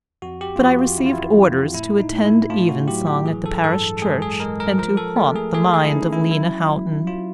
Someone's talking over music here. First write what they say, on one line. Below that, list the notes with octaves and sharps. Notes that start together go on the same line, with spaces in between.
But I received orders to attend evensong at the parish church, and to haunt the mind of Lena Houghton.
F2 F#4
G4
F4
F2 F#4
F4
E3 E4
F4
E4
F2
A2 E4
D#4
A2
E4
A2 F4
F#4
F#3 G4
G4
E3 G#4
A4
G2 A4
G#3 G#4
G#4
G#3 A#4
A#4
F3 A#4
A4
A3
G#4
A3 G#4
G#4
E4
C#4 D#4
E4
F#3 E4
F#3
F#3 F4